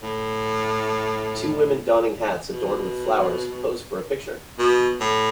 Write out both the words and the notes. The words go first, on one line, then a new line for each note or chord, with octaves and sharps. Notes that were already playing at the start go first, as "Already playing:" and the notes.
Two women donning hats adorned with flowers pose for a picture.
A2
B2
B2
A2